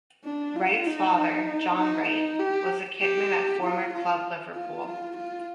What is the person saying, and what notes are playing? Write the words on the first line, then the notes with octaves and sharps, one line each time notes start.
Wright's father, John Wright, was a kitman at former club Liverpool.
D4
F4
D#4
D#4
D#4
D#4
G4
G4
F4
F4
F4
F4
F4